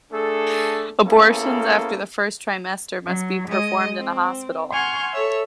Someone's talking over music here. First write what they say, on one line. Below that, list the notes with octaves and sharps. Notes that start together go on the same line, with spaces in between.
Abortions after the first trimester must be performed in a hospital.
A3 D4 G#4 A4
A#3 B3 C#4 E4 G#4 A4
F#3
G#3 D#5
C4
F#5 G#5 C6 C#6 F6 G6
A4 C#5 E5